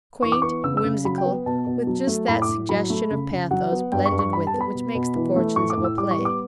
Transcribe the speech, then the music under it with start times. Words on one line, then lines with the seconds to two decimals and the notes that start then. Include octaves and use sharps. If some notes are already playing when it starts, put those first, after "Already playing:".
Quaint, whimsical, with just that suggestion of pathos blended with it which makes the fortunes of a play.
0.23 E3 C#6
0.32 D6
0.42 B3 C#6
0.64 C#3 E6
0.77 E6
0.84 C#3
1.05 F#3 B5
1.18 G5
1.25 B3
1.46 B2 A5
1.67 B2
1.87 F#3
2.07 A3
2.28 A2 B5
2.42 D6
2.48 A2
2.69 F#3 B5
2.90 A3
3.10 C#3
3.31 C#3
3.51 F#3 F#5
3.72 B3
3.92 G2 G5
4.06 C#6
4.12 G2
4.19 C#6
4.33 G3 B5
4.47 A5
4.54 B3
4.61 B5
4.74 B2
4.95 B2
5.16 E3
5.36 A3
5.56 A2 C#6
5.70 D6
5.77 A2
5.84 E6
5.98 G3 D6
6.11 C#6
6.18 B3
6.25 D6